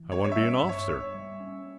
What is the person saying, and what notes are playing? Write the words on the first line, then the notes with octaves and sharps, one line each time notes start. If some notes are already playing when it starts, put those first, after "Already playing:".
I want to be an officer.
Already playing: E3
G3 C#5
C#5
E5
C#4
G2
C#5
G2 C#5
G3
C#4